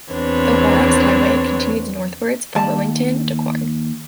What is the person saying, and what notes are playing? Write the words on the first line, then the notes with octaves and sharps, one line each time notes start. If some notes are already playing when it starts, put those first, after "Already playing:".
The Horrocks Highway continues northwards from Wilmington to Quorn.
E2 C4 D4 B4 C#5
D#2 A5